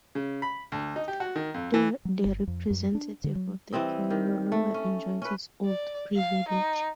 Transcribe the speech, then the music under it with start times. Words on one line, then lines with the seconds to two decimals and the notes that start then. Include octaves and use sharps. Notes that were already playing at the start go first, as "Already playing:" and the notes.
The representative of the king no longer enjoys his his old privilege.
0.15 C#3
0.42 B5
0.72 D2
0.96 D#4
1.08 G4
1.20 F#4
1.36 D#3
1.54 F2
1.74 E3
2.05 F#3
2.25 G1
2.47 F2
2.70 F#2
2.95 D4
3.24 D3
3.36 F#3
3.73 E3 G3 C4 D#5
4.10 D#3 G4
4.52 A3
4.74 C#4
5.22 C#4 B4
5.65 D5
6.16 F5
6.49 D#4